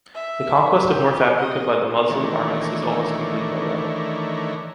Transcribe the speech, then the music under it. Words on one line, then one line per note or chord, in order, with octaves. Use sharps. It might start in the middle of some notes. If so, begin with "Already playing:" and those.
The conquest of North Africa by the Muslim armies is almost complete by then.
E5
G4
D#5
D#3 E3 A3 D4 A#4 C#5